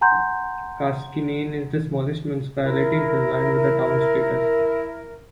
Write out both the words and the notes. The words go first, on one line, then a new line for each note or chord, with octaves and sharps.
Kaskinen is the smallest municipality in Finland with a town status.
F#5 G#5 A#5 C6 G6
E4 A#4